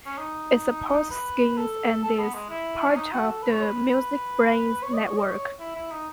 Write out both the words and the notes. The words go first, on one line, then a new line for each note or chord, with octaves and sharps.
It supports skins and is part of the MusicBrainz network.
C#4
D#4
B4
A4
A4
B3
G#3
E4
C#4
D#4
F#4
A4
B4
C#5
B4
B4
C#5
D#5
C#5
D#5
C#5
E4
E4
D#4